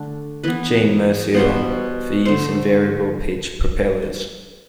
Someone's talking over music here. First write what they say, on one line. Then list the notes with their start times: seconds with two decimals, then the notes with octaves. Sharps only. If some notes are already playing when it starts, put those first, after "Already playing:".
Jean Mercier, for use in variable-pitch propellers.
Already playing: D3 A3 D4
0.44 E3 B3 B4
1.34 B2 G3 B3 C5
2.25 D3 A3 C5